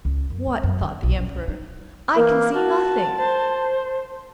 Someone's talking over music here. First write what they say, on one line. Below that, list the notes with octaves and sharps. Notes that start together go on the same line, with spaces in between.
'What!' thought the Emperor, 'I can see nothing!
C#2
F#2
G#3
F#2
D3
B1
C#2
D#4
E3 A#3 A#4
F#4 A5
C5